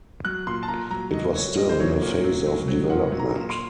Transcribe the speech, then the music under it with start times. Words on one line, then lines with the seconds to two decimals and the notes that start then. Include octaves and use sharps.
It was still in a phase of development.
0.25 F#3 F#6
0.47 A#2 C6
0.63 A5
0.68 A#2 A#5
0.91 F#3 A#5
1.13 F#3 D#5
1.35 F#3 C#5
1.57 A#2 D#5
1.69 C5
1.80 F#3 C#5
2.01 A#2 C#5
2.24 F#3
2.46 F#3
2.68 F#3
2.90 A#2 F#5
3.12 F#3
3.19 A#5
3.35 A#2
3.50 C6